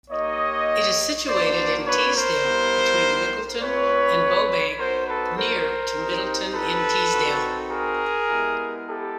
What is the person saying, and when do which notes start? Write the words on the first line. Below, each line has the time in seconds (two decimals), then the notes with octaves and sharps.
It is situated in Teesdale between Mickleton and Bowbank, near to Middleton-in-Teesdale.
0.10 A#3 D#4 G4 C#5 D#5
1.27 A#3 D4 F#4 C5 D5
1.86 B4 C#5
2.15 A#4 C5
2.45 G3 B3 E4 G4
3.61 A3 C4 F4 B4 C#5
4.78 B3 D#4 F#4 A#4 C5
5.07 A4 B4
5.37 A#4 C5
5.95 C4 D#4 G4
6.54 A4 B4
7.12 C4 D#4 F#4
7.70 G#4 A#4
8.29 G#3 B3 E4 G4
8.88 G4 A4